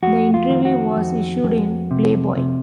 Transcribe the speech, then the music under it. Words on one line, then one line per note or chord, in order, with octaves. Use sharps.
The interview was issued in "Playboy".
F2 F#4
F4
D#3
F#4
F2
F2
C3
C3